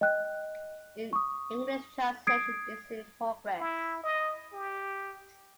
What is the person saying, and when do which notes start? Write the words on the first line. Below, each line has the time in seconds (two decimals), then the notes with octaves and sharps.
An English translation is in progress.
0.01 D#5 G5 F#6
1.13 C#6 D#6
2.27 D#6 G#6 C7 D7
3.60 E4
4.04 D#5
4.53 G4